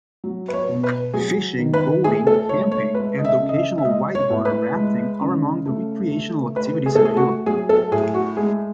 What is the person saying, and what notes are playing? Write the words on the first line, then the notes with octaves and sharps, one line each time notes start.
Fishing, boating, camping and occasional whitewater rafting are among the recreational activities available.
F#3
B4
C#5
B2
B4
F#3 G#4
D#3
B4
A3 G#4
A4
A3 C#5
C#5
G#3 B4
D#5
E5
C#3
D#5
E5
E5
G#3 D#5
C#5
A2
B4
G#3
C#3
A3
A3
A3 B4
G#4
A4
A3 G#4
F#4
F#3 G#4
A4
A2 G#4
F#4
G#3 G#4